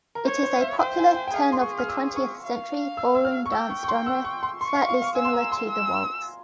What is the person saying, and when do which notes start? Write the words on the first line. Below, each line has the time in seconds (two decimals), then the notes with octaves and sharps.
It is a popular turn-of-the-twentieth-century ballroom dance genre slightly similar to the waltz.
0.15 A#4
0.25 C5 C#5
0.43 C5
0.57 F5
0.61 E5
0.79 C5 G5
0.98 G#5
1.16 G5
1.28 G5
1.34 G#4 F5
1.52 C6
1.61 C#6
1.78 F6
1.89 E6
2.16 C#6
2.43 F5
2.97 E6
3.15 E6
3.25 F6
3.46 C#6
3.51 G5 E6
3.70 C#6
3.83 C#6
3.88 C6
4.06 E6
4.25 C#6
4.43 C6
4.60 C6 C#6
4.75 F5
4.89 F5
5.02 F5
5.15 G#5 E6
5.25 C6
5.33 A#5
5.52 C6
5.69 E6